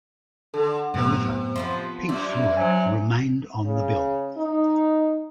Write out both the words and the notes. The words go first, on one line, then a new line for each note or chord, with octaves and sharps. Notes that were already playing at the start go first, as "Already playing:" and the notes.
However, Pink Floyd remained on the bill.
D3 A4
F#2 A2 C3 B3
F3 A#3 B3 C6
F#2 E4
F#3 C5 E5 G#5
C#3
D#4